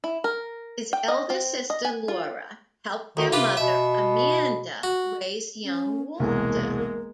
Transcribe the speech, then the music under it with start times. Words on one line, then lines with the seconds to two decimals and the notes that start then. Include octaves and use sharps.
His elder sister, Laura, helped their mother, Amanda, raise young Walter.
0.04 E4
0.24 A#4
0.93 G5
1.08 D#5
1.30 C4
1.70 D#5
1.85 G#5
2.08 F4
3.17 D2 D#3
3.32 C3 F4 G4 B4
3.57 B2 E5
4.83 F#4
5.64 C#4
6.20 E1 C2 G#3 A#3 A#4